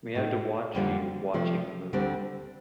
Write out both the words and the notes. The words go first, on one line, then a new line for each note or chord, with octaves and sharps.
We have to watch "you" watching the movie.
A2 A3 D#4
F2 D3 G3 A#3 F4
C3 F3 A3
D2 D3 G3 C4